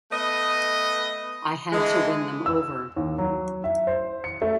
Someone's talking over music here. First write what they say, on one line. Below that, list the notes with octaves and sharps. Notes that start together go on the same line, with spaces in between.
I had to win them over.
A3 B3 B4 D#5
D3 E3 G#3
E6
D#2
F#3
E5
C5
C#7
A3